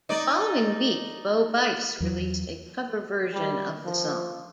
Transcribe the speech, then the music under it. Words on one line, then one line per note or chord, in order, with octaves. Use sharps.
The following week, Bo Bice released a cover version of the song.
D#4 D5
E2 F#3
G3
F3